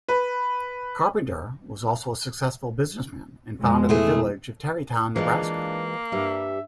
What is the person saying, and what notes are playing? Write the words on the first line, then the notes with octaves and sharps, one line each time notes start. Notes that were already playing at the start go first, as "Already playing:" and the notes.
Carpenter was also a successful businessman and founded the village of Terrytown, Nebraska.
B4
F2 B2 G#3
E3 A3 G#4
E3 G#3 A#3 D4 F4
G2 G3 E5